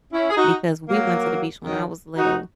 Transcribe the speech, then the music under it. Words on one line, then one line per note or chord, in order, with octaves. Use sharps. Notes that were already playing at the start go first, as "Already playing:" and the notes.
because we went to the beach when I was little,
C#4 E4
G#4
D#4 F#4
F#3 A#3
D#3 F#3
D#4 F#4